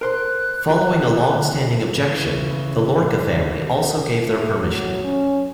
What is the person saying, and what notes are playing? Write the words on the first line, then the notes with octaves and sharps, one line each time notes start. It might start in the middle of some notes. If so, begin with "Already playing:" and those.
Following a long-standing objection, the Lorca family also gave their permission.
A#4 C5 C6 F#6
F4 G4
C#3 E3
A3
F#3
C#4